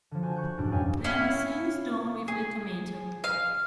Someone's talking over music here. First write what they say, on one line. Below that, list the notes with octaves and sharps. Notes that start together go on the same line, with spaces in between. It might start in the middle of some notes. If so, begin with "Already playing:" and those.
Then the same is done with the tomato.
D3 F3
F#4 C5 G#5 A5
B5 C#6 F#6 G6
E2 G#2 B2 D4
F#2 G3 G#4 F5 G5 G#5
C#4 E4 F5
G#4
F5